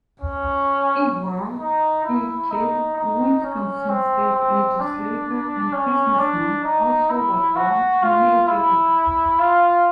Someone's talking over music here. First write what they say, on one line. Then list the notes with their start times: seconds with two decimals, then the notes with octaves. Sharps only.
Edward I. Kidd, Wisconsin state legislator and businessman, also was born in Millville.
0.22 C#4
1.59 D#4
2.04 E4
2.51 D#4
2.97 D#4
3.43 C#4
3.89 C4
4.35 C4
4.80 D4
5.73 C#4
6.18 D4
6.64 D#4
7.10 E4
7.56 F#4
8.02 F4
8.47 E4
9.39 F4